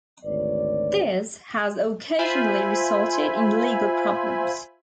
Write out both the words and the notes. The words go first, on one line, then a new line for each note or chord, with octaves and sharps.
This has occasionally resulted in legal problems.
G#1 D2 B4 C#5 D5
F4 C5 E5 G#5 B5